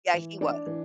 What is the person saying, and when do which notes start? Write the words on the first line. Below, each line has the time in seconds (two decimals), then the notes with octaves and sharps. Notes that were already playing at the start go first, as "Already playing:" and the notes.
Yeah, he wa
0.14 E3
0.41 D4
0.67 E3